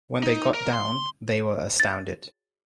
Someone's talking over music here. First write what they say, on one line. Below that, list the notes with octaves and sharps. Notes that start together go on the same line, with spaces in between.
When they got down, they were astounded.
D#4
A#4
C6
A6